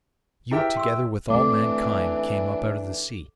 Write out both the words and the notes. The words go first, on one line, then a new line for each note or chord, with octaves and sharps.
You, together with all mankind, came up out of the sea.
E4 G4 G#4 B4 E5 G5
C6 C#6 E6
E3 A3 C4 D4 D#4 A4 D5 D6